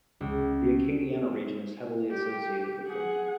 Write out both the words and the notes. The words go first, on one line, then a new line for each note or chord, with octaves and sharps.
The Acadiana region is heavily associated with them.
C#2
G4
G#4 F#5